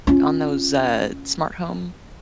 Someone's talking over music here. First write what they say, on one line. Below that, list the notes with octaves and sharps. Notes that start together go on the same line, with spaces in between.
on those, uh, smart home
C#4 F4